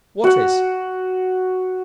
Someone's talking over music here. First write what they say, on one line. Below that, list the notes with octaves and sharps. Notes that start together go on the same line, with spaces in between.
"What is?"
F#4 F#5